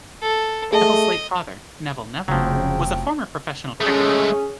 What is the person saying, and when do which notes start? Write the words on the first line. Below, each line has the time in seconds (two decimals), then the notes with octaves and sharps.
Neville's late father, Neville Neville, was a former professional cricketer.
0.22 A4
0.73 A3 G#4 D#5 A5
2.28 F1 C#3 F3 F#3 B3 G5
3.81 G#3 A3 C#4 G#4